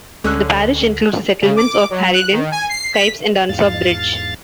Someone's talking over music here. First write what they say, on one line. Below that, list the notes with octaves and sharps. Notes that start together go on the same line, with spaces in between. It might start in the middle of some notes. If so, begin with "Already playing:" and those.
The parish includes the settlements of Hareden, Sykes, and Dunsop Bridge.
D2 D3 G#3 C#4 E6 F#6
C#3
D6
F#3
F#6
D#3
G#5
C7
B6
E2 G#2 F5 A6